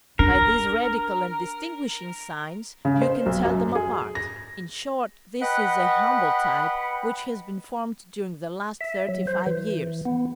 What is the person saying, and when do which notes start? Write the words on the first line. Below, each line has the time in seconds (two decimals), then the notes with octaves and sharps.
By these radical and distinguishing signs you can tell them apart; in short, this is a humble type which has been formed during the last thirty-five years.
0.19 D4 A#4
2.85 C#3
3.02 C5
3.26 B1
3.44 F#2
3.75 G#4
4.15 A#6
5.42 B4 D#5 F#5 G5 B5
8.81 E5
9.09 F#3
9.27 C5
9.46 E3
10.05 B3